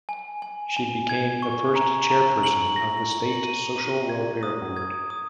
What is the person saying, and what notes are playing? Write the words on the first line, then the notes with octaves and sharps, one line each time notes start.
She became the first chairperson of the State Social Welfare Board.
G#5
G#5
G#5
G#6
C#6
A#5
A#5
F#7
A#6
F#7
D#7
D#7
G#6
D#6
G#6
D#6